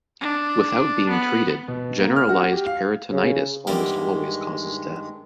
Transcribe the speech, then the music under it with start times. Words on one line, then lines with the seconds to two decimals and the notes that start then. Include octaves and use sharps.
Without being treated, generalised peritonitis almost always causes death.
0.21 D4
1.09 B3
1.68 B2
1.98 A#3
2.16 F6
2.29 F#4
2.52 G4
2.66 F5
3.12 C#3
3.67 E2 G2 D#3 G3 G#3 A#3